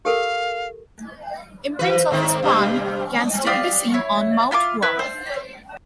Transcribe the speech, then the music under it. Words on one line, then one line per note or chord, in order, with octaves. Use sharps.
Imprints of his palm can still be seen on Mount Hua.
G4 A4 A#4 F5
E3 B4
G#2 D#3 C4
G2 C3 G3
G4 D5 F5 D#6
E4 C#5
E4 F4 B5 D6
E4 B4
C5